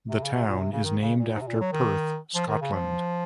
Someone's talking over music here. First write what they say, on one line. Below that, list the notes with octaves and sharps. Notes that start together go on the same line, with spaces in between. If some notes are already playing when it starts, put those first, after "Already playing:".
The town is named after Perth, Scotland.
C3
C#3
C3
A#2
C3
C#3
D#3
C#3
A#2
G#2
C3
A#2
F#3
D#3
F3
D#3
C#3
F3